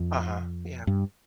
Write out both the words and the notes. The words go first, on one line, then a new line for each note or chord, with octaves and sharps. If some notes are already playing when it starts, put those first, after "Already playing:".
Uh-huh, yeah.
Already playing: F2
G2